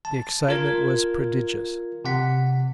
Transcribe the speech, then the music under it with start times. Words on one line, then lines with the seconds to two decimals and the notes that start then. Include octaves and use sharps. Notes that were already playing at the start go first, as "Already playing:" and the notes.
The excitement was prodigious.
0.05 A5
0.48 F4 A#4 G#6
2.05 C3 F#5 B6